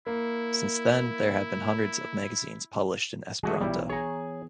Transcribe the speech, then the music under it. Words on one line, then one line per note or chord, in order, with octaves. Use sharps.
Since then there have been hundreds of magazines published in Esperanto.
A#3 E4
E3 G#3 A3 F#4 G#4 G#5
B1 G3 B3 E4
G#4 C#5 G#5 A#5